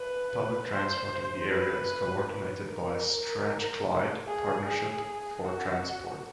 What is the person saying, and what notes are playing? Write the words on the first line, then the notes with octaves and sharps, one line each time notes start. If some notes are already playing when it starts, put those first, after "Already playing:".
Public transport in the area is coordinated by Strathclyde Partnership for Transport.
Already playing: B4
C5
B4
B4
A#4
G#4
G#4
F#4